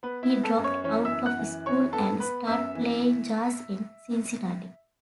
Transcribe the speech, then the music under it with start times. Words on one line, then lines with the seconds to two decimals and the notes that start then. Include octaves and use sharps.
He dropped out of school and started playing jazz in Cincinnati.
0.03 B3 B4
0.23 E4 E5
0.30 B3
0.44 A4 A5
0.58 F#2
0.64 C#5 C#6
0.84 E3 C#4 C#5
1.05 E5 E6
1.12 F#2
1.26 F#5 F#6
1.39 E3
1.66 F#2 C#5 C#6
1.93 B3 A4 A5
2.20 B3 B4 B5
2.47 F#2 E5 E6
2.75 E3